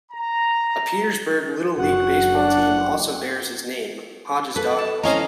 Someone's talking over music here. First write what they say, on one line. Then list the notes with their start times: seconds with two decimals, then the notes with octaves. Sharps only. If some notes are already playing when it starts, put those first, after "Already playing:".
A Petersburg Little League baseball team also bears his name, Hodges Dodgers.
0.12 A#5
1.79 F#1 F#4 F#5
2.34 D4
4.56 A4 B4
4.78 A5
5.03 F3 C4 C#4 E4 D#5 F5 A#5